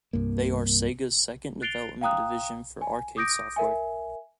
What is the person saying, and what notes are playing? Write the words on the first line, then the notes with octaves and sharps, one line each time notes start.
They are Sega's second development division for arcade software.
C2 G2 A#3
F#6 A6 C7 D7 F7 G7
F5 G5 A#5 D#6 F#6
G#5
D6 D#6 G6 A#6 D7
A#4 E5 G#5